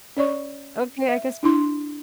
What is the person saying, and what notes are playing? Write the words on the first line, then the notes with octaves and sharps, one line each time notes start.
Okay, I guess
C#4 C#5 D5 C#6
E5
D4 E4 C6